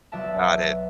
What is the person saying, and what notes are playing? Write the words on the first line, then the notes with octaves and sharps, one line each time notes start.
Got it.
B1 B3 D5 E5 A5